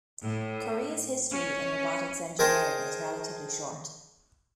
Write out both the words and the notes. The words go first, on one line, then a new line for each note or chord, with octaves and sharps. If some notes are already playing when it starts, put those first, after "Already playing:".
Korea's history in robotics engineering is relatively short.
A2
C#4
G#4 A#4 C5 D#5 G5 A5